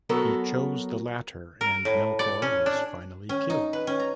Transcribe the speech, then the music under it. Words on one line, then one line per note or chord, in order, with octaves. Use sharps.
He chose the latter, and Melkor was finally killed.
F#3 B3 F#4 A4 A#4
A#4
A2
D5
C#4
D4
C#4
D#4
B4
C#4
A#5